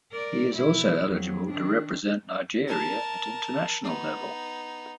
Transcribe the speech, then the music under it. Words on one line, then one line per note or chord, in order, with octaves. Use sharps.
He is also eligible to represent Nigeria at international level.
A#4 D5
B2 E4
F2 F#3
D#3 D4
A#4 A5
B3 D#4